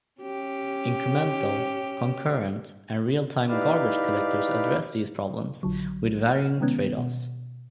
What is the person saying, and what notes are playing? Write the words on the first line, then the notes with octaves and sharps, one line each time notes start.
Incremental, concurrent, and real-time garbage collectors address these problems, with varying trade-offs.
C#4 G4
D#4 E4 G4 B4 D5 F5
A#1 D3 F#3
F6
C3 D#3 G#3 B3 C#4
B2